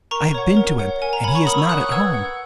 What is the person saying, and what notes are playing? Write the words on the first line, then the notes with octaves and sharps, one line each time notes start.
'I have been to him, and he is not at home.
A#4 A#5 C#6
C#5 F#5
A#4
C#5 F#5
A#4 G#5
A#5
C#5 F#5 G#5 B5
A#5 C#6
A#4 B5 D#6
C#6 E6
C#5 F#5 D#6 F#6
D#6 F#6
B4 E6 G#6
F#5